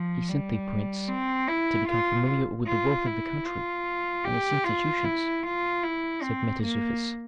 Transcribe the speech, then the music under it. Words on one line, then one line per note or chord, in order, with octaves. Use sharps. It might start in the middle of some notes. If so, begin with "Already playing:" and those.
"He sent thee, prince, to become familiar with the wealth of the country and its institutions," said Mentezufis.
Already playing: F3
G3
C4
E4
F4
F4
E4
F4
G4
F4
E4
F4
E4
C4
A#3